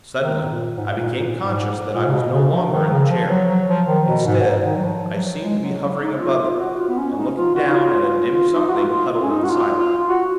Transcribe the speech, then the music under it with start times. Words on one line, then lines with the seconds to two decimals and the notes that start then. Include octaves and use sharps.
Suddenly, I became conscious that I was no longer in the chair. Instead, I seemed to be hovering above it, and looking down at a dim something, huddled and silent.
0.19 D#3
0.43 G#2
0.48 A#2
0.77 G#2
0.89 G#2
0.96 A#2
1.16 A#2
1.36 G#2
1.94 A#2
2.06 C#3
2.13 B2
2.32 C#3
2.51 F3
2.71 D#3
2.91 C#3
3.10 F3
3.29 F#3
3.48 F#3
3.68 F3
3.87 D#3
4.07 B2
4.26 G#2
4.45 G#2
4.65 D#3
4.75 F#3
4.85 F3
5.13 F#3
5.43 G#3
5.62 F#3
5.82 F#3
6.01 D#4
6.20 F4
6.39 F4
6.59 F#4
6.78 F4
6.88 B3
6.98 C#4
7.17 D#4
7.37 F4
7.55 F#4
7.69 D#4
7.75 F4
8.34 F4
8.53 D#4
8.69 F#4
8.72 F4
8.91 F4
9.11 F4
9.22 C#4
9.30 D#4
9.44 F#4
9.50 F4
9.78 F4
10.08 F#4